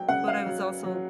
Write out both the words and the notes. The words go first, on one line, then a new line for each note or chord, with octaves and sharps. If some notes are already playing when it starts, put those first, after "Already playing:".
but I was also,
Already playing: F#3 G5
C#3 F#5
F5
F#3
F#3